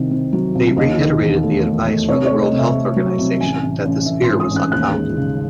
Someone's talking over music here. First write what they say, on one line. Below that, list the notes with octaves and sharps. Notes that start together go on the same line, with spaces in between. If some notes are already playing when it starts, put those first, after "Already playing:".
They reiterated the advice from the World Health Organization that this fear was unfounded.
Already playing: C2 C3 D#3
C3
F#3
C2
D#2 D#5
D#3
E1
A3
A3
A3
C2 C#5
C#5
A3
D#5
C3
E5
A3
F#3
C2
A1 G#5
A1
A1
A1 E5
C6
G#2
D#6
A1
F#6
D#2 F#6
G#3
C#3